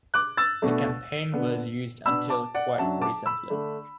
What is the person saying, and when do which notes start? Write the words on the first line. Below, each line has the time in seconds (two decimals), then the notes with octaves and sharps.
The campaign was used until quite recently.
0.14 D6 F#6
0.37 E6 A6
0.62 B2 A3 D4
1.34 D3 B3 D4
2.06 B2 B3 D4 B5 E6
2.30 A5 D6
2.54 D5 F#5
2.78 F#2 F#3 D4 E5 A5
3.02 A5 D6
3.26 B5 E6
3.50 D3 A3 D4